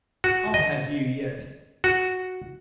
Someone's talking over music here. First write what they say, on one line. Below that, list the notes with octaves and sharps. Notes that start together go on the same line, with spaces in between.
"I'll have you yet."
F#4
D#5
F#4